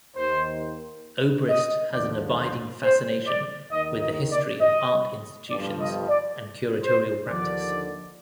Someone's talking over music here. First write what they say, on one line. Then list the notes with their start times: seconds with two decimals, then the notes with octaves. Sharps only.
Obrist has an abiding fascination with the history of art institutions and curatorial practice.
0.15 D#2 D#3 C5
1.48 D#5
1.93 D#2 D3 F3 D5
2.38 C5
2.82 C5
3.27 D5
3.71 D#2 D#3 D#5
4.02 D#5
4.31 D5
4.60 D#5
5.49 G1 G2 F3 D5
5.79 D#5
6.09 D5
6.83 C5
7.28 D#2 D3 F3 D5